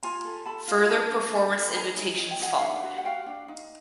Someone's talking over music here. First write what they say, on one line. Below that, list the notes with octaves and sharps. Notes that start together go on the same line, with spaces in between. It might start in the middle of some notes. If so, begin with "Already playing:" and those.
Further performance invitations followed.
F4 G#5 A#5
A4
A4 A5 B5
F4
D4 A5 B5
D4
A4
A4
B5
D#4 G#5 A#5
D#4
D#4 G#5
G5
D#4 F#5 G#5
F5
D4 E5 F#5
F#4
F#5
F#4 F5 G5
D4
D#4